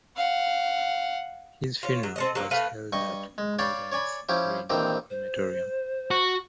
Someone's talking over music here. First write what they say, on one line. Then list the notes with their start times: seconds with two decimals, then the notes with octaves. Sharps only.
His funeral was held at Golders Green Crematorium.
0.16 F5 F#5
1.83 F4 C#5
2.03 F#3
2.16 C4 A4 D#5
2.35 F#3 A#3 C4
2.51 A3 B3 B4 F5
2.93 G2 D#5 C#6
3.38 G#3
3.59 C#5 D5 F5 G5 A5 B5
3.92 C#5 D5 G#5 B5
4.29 F3 C#4 E4 G4
4.70 A#1 D#3 E3 C4 G4
5.10 C5
6.11 F#4